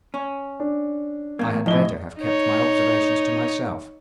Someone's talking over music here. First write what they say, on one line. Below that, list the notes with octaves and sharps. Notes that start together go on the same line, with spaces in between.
I had better have kept my observations to myself.
C#4
D4
E2 A3 A#3 G#6
A2 F3 D#5 E5 G7
D#4 C#5